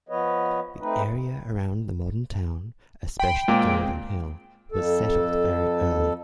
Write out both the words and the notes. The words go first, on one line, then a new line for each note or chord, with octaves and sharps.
The area around the modern town, especially Gerunden hill, was settled very early.
F3 B3 B4 C#5 D#5
A3 C4 D#4 B4
G5 B5 C6
A#2 G#3 C4
F2 A4